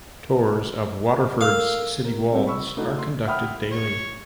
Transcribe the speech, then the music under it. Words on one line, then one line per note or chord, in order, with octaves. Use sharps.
Tours of Waterford's city walls are conducted daily.
A4 A#4 F5 E6
A#4
C3 G3 C4
B5 C#6 E6
A3 D#4 E4 F#4
C6
E5 F#5 G5 B5 D#6 F6
C#5